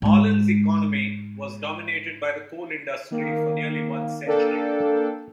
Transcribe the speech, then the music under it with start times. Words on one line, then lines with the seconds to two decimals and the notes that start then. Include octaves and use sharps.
Ahlen's economy was dominated by the coal industry for nearly one century.
0.02 G#2 G#3
3.11 D#3 A#3
4.26 A#3 D4 A4 G5